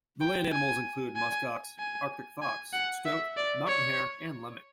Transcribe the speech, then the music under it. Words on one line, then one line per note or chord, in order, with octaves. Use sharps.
The land animals include muskox, Arctic fox, stoat, mountain hare and lemming.
G5
G#5
G#5
G#5
G#5
F#5
E5
D5
C#5